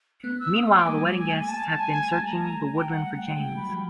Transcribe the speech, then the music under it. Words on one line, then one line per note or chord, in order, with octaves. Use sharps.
Meanwhile, the wedding guests have been searching the woodland for James.
A3 B3 F#6
E6
D#6
D6
A#3
G3 A3 G#5
A5
G#5
G3 A3 A5
A#5
A#5
G5
F#5
F#5
G5
G#3 G5
G3
F#3 B5
F3 G3